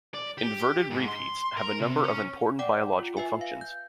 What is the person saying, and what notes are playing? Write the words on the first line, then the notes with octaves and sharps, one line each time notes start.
Inverted repeats have a number of important biological functions.
D5
G4
G#2
C6
A#4
C3
C#4
D5 F#5 G5 D6
F4
B4 E5 G#5
F5
G6